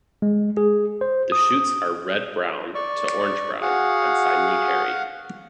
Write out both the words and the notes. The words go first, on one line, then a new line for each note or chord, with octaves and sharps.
The shoots are red-brown to orange-brown, and finely hairy.
G#3
G#4
C5
D#6
D5 C#6
F#4 G#4 F5 F#5